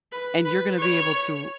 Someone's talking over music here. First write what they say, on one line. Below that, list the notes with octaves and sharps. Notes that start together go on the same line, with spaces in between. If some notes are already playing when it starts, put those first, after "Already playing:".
and you're gonna be able to
B4
B4
C#5